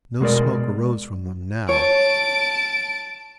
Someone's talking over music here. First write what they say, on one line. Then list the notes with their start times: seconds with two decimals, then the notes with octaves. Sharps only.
No smoke arose from them now.
0.20 B2 G#3 A#4 D5
1.69 C#5 A5 D7